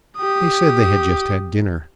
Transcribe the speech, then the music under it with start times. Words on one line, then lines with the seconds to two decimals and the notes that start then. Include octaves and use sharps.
They said they had just had dinner.
0.17 G4 D#6